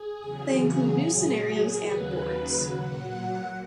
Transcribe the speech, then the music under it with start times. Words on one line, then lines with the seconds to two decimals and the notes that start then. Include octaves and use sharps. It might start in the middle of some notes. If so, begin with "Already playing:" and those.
They include new scenarios and boards.
Already playing: G#4
0.19 E2 C#3 F#3
1.01 A#2 F#3
1.81 D#2 C#3 F#3 B4
2.64 A#2 F#3 F#5